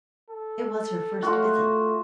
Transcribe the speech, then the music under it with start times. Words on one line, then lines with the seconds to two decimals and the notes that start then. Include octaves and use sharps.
It was her first visit.
0.30 A4
1.22 A3 F4 F#4